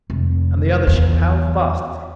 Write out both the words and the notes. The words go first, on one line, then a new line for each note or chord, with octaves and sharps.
"And the other ship--how fast is it?"
F1
E2